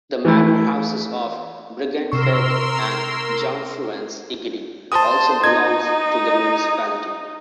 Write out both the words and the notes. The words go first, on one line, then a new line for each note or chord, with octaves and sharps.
The manor houses of Bregentved and Jomfruens Egede also belong to the municipality.
E3 A3 E4
C3 A#4 C6 C#6 E6
C5 A5 D#6
D#4 G#6